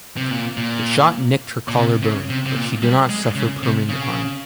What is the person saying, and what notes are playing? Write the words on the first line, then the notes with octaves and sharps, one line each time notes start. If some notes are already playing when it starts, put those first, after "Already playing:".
The shot nicked her collar bone but she did not suffer permanent harm.
C3
A#2
A#2
A#2
C3
C#3
C3
C3
A#2
G3
G#3
C#3
C3
C#3